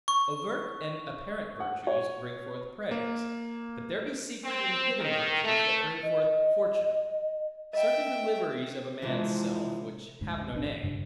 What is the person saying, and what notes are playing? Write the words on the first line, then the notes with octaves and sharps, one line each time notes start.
Overt and apparent virtues, bring forth praise; but there be secret and hidden virtues, that bring forth fortune; certain deliveries of a man's self, which have no name.
C#6
F#5
C#5
A#3
C4
D#3
A3
D#5
D#5 E5 F#5 G5
C3 E3 F3 G#3 D4
D2 G#2
A1 D4
G2 C#3